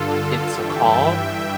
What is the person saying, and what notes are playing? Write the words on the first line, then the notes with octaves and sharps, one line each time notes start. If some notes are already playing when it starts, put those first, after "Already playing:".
it's a call,
Already playing: G2 D3 F4 A4
G2 E3 E5 G5
E5 G5